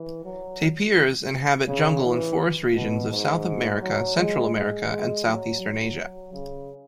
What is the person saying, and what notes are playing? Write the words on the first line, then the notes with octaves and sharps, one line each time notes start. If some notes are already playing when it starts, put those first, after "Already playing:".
Tapirs inhabit jungle and forest regions of South America, Central America, and Southeastern Asia.
Already playing: E3
F#3
C#3
E3
B2
G#2
F#3
G#3
G#3
G#3
F#3
F#3
C#3